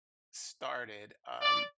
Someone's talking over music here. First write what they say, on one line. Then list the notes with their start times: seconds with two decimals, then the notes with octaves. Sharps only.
started, um,
1.41 D5